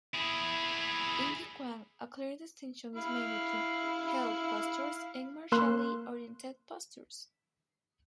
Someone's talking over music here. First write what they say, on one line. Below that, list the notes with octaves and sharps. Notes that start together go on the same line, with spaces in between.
In Yiquan, a clear distinction is made between "health" postures and "martially oriented" postures.
E4 G#4
E4 F5 B5
A#3 A#4 C6 F#6